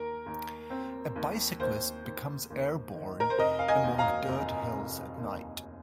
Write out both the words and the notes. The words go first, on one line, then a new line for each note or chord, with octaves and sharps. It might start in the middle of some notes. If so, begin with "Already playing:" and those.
A bicyclist becomes airborne among dirt hills at night.
Already playing: D#2 A#4
D#2
C4
D#2
D#2 C5
D#2
D#2
D#3
A#4
C5
F1 A#4 D#5
F5
D#5 G#5
D#2
F5 A#5
F1
F1
D#2